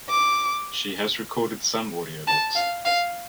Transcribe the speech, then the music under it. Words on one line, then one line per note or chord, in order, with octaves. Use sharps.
She has recorded some audiobooks.
D6
A5
F5
F5